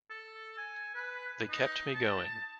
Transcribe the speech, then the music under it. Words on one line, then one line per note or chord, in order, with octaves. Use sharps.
They kept me going.
A4
G#5
B4
D#4
A5